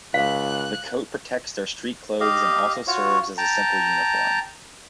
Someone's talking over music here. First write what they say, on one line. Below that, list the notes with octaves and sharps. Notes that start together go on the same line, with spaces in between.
The coat protects their street clothes and also serves as a simple uniform.
C#2 F5 F#6
G4 D#5 F5
F4 F#4 C#5
G5 A5 A#5